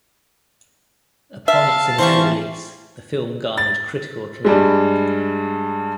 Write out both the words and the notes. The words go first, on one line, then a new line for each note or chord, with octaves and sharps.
Upon its initial release, the film garnered critical acclaim.
E5 F5 A5
E3 C4 G4 C5 C#6
A6
G2 G3 G#3